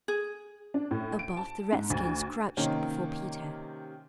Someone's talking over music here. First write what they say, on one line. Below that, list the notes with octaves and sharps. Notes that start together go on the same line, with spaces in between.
Above, the redskins crouched before Peter.
G#4
D4
A2
D7
A5
G#2
D2
C3 D#3 A#3 C#4